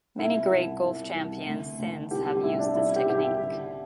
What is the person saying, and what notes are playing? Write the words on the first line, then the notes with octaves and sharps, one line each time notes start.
Many great golf champions since have used this technique.
C2 E4
C2
C2
C2
D2
D2
C2 G4
G4
G4
C2 E4
D4
C2 E4
G4
C2 G4
E4
D3